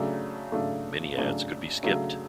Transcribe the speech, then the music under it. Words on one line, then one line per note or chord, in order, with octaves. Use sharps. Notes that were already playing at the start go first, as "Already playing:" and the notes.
Many ads could be skipped.
Already playing: C#3 F#3 A3 D4
C#3 F#3 A3 D4
C#3 F#3 A3 D4
C#3 F#3 A3 D4